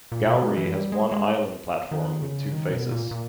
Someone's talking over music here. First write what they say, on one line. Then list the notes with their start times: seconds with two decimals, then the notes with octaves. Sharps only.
Gowrie has one island platform with two faces.
0.12 A#2
0.26 B2
0.42 G#3
0.57 E3
0.72 G3
0.92 G#3
1.12 G#3
1.91 D#3
2.22 C#3
2.52 D#3
2.71 B2
2.91 A#2
3.11 A#2